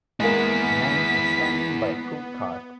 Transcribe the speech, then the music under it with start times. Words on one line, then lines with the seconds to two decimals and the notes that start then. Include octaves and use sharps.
A man is standing by a fruit cart.
0.20 G#3 A#3 B3 E4 G#4 B6